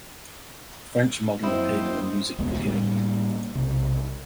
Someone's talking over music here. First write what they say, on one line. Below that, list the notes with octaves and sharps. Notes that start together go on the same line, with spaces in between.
French model appeared in the music video.
F#2 F#3 A#3 C4 E4 C5 D#5 G5
E1 C#2 G#3 B3
A2 G3 A#3
B1 C3